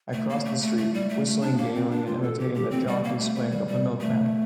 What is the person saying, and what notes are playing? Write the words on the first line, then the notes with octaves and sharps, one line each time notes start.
I crossed the street, whistling gaily and imitating the jaunty swing of the milkman.
A3
A#3
A3
A3
A3
G3
A3
A3
D4
A#3
C4
D4
F4
A4
G4
G4
C4
G3
A#3
A3
A3
G3
G3
A3